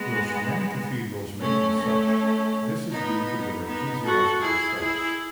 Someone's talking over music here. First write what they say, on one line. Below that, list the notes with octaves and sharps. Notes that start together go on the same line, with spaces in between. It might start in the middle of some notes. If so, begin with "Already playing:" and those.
Whilst many cathedrals may be such, this is due to their ecclesiastical status.
Already playing: G#3 B3
A3 C#4
A3 C#4
B3 D#4
B3 D#4
F#4 A4
E4 G#4
E4 G#4